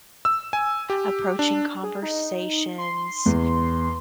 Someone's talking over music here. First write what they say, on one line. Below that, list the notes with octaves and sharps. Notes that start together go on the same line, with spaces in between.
approaching conversations,
E6
G#5
G4
D4
G#4
D#4
C6
E2